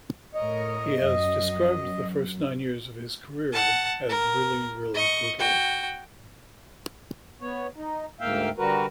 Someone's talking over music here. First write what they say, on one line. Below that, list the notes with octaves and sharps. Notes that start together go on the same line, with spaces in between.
He has described the first nine years of his career as really, really brutal.
A2 A#4 C#5 D#5
F#2 F#3
F#5 A5
A#4
D#5 C#6
F#4 G5
B3 C#5
D#4
D2 G#2 A#3 E5 F5 G5
D3 G3 F#4 A#4 B4